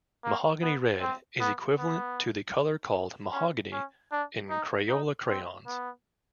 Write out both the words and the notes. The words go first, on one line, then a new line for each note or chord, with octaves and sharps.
Mahogany red is equivalent to the color called "mahogany" in Crayola crayons.
A#3
B3
C4
B3
B3
C#4
C#4
D4
D#4
D#4
C4
B3